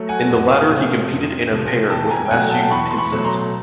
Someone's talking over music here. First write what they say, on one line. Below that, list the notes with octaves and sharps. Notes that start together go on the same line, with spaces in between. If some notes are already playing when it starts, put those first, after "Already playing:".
In the latter he competed in a pair with Matthew Pinsent.
Already playing: F#3 A3
F#5 G#5
F2
C3 F3 A3
F2
C3 F3 A3
E2 G5 A5
G#5 A#5
G5
B2 F#3 A3 F#5 G#5
G5 A5
E2 B5 C#6
C6
B5 C#6
B2 F#3 A3
A#5 C6